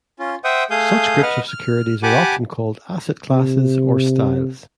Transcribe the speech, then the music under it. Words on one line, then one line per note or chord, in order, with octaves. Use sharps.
Such groups of securities are often called "asset classes" or "styles".
C#4 F4
C5 E5 F#5 G5 D#6
A3 G#4 F5 D#6 G6
B4 D#5 F#5 F6
F6
G4 F#5 G#5 A5 B5 D6
C3